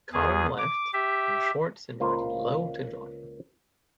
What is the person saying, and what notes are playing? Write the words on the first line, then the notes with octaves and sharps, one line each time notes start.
Cottam left, and Schwarz invited Lowe to join.
E2 G#4
D6
G4 E5
C#2 A#3 F4 C5